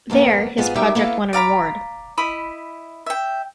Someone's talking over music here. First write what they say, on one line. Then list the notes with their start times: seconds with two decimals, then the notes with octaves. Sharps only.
There his project won an award.
0.10 F2 G#2 A#3 B3
0.57 G#2 B3 F4 G#4
0.75 G3 D#4 G4 A#4 E5 G5
0.95 A#3 B3 E4 A4 F5
1.33 D5 F5 A#5 B5
2.18 E4 D#5 B5
3.06 E5 G5